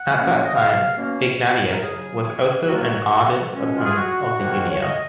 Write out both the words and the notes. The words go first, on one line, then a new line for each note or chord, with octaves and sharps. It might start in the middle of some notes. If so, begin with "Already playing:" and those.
At that time, Ignatius was also an ardent opponent of the Unia.
Already playing: F#5
C#2 B2 A#3 C#4
C#5
D#5
F5
B2 A#3 C#4
A#4
D#2 C#3 F#3 G#4
D#2 D#3 F#3 A#3 F#4
F4
F#4
C#2 B2 G#3 C#4
F4
G#4
F#4
G#2 D#3 A#3
C#5
D#5